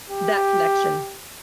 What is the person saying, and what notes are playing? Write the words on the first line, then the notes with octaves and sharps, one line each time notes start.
that connection,
G4